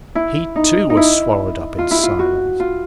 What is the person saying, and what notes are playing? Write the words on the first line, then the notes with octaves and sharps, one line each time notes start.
He, too, was swallowed up in silence.
E4
D#4
D#4
E4
F4
E4
F4
F#4
F4